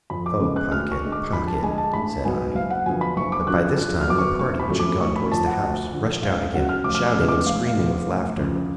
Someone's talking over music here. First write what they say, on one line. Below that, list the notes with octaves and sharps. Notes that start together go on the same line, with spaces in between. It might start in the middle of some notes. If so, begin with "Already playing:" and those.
"Oh, Pocket, Pocket," said I; but by this time the party which had gone towards the house, rushed out again, shouting and screaming with laughter.
F2 B5
D6
C#3 G#3 B3
F#6
D2 F6
C#6
D3 G#3
D6
F2 B5
A5
D3 G#3 G#5
A5
A1 B5
G#2 F#3 B3 G#5
F#1 F5
F#5
F2 D3 F#3 B3 G#5
B5
F#1 C#6
D6
F#2 D3 F3 F#6
F2 F#6
F6
D3 F#3 B3 D6
C#6
F#1 C#6
B5
F#2 F3 A3
D6
F1 C#6
B5
F2 F3 A5
F#5
D2
D3 F3
C#2 F5
F5
C#3 F#3 F#5
F6
F1 D6
F6
D6
F2 C#3 G#3 B3 F6
D6
F1 F5
F5
F2 F3 B3
F5
F1
F2 C#3